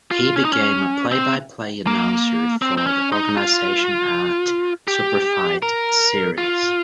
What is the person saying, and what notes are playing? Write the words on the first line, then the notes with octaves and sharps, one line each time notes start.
He became a play-by-play announcer for the organization at Superfight Series.
F4
C#4
D#4
C#4
C4
A#3
C4
C4
C#4
D#4
F4
G4
A#4
F4